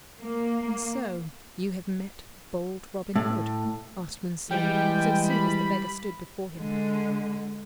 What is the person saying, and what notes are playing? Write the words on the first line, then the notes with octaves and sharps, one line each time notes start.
"And so you have met bold Robin Hood?" asked Monceux, so soon as the beggar stood before him.
A#3
A2
E3 G3 G#3 G5
B5
D3 G#3